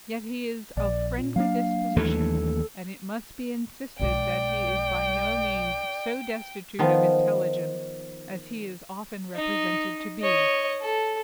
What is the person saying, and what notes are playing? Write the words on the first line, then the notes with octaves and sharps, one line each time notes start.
Yet he is of friendly disposition, and it must be insisted that he is by no means so destitute of intelligence as he is often represented to be.
A#1 D5
A#2
F#3 A#3 D4 F5
D#2 E3 A3 A4
B1 G#3 D5 G5
D#3 F3 B3
D#4
C#5 D#5
A4